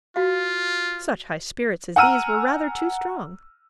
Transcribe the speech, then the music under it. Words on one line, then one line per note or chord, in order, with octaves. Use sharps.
Such high spirits as these were rather too strong.
F4 F#4 F5
F#5 G#5 A#5 E6 F6 D#7